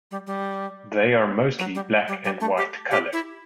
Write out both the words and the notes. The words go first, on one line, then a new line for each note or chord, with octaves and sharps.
They are mostly black and white colour.
G3
G3
F#3
G3
G3
G3
A3
G4
G4
E4